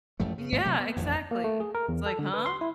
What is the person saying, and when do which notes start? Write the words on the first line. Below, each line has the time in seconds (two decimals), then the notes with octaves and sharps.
Yeah, exactly. It's like, huh?
0.20 A1 F#2 F3 A3
0.38 C#3
0.52 G#1 G#2 A#3
0.65 C3 F#3 A3
0.79 B3
0.96 A1 F2 E3
1.31 A#3
1.44 A3
1.60 G#4
1.75 A#4
1.89 E2
2.06 A4
2.19 D3
2.34 B4
2.46 C6
2.61 E4